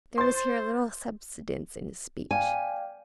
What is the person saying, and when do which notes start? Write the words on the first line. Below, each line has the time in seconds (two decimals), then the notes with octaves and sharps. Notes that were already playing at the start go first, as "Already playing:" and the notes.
There was here a little subsidence in his speech.
0.18 C5 C6 A6
2.31 D5 F5 G5 G#5